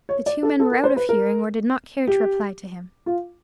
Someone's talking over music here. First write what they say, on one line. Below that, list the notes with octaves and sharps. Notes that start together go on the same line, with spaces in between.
The two men were out of hearing, or did not care to reply to him.
C#5
D5
A4
A4
A#4
C5
B4
A#4
G4
F4